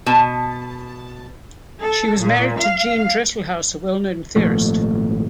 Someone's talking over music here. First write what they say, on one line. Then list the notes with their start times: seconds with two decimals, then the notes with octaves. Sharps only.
She was married to Gene Dresselhaus, a well-known theorist.
0.06 B2 A5
1.80 A4
2.19 A#2
2.59 F5
4.36 G#1 A#2 F3 A3